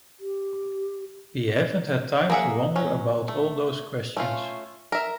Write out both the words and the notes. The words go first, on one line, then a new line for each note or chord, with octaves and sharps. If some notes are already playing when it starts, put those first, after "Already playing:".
We haven't had time to wonder about all those questions!
G4
A#3 B3 G#4 E5 F#5
F#3 C#4
A3
A3 C#4 F4
A#4 E5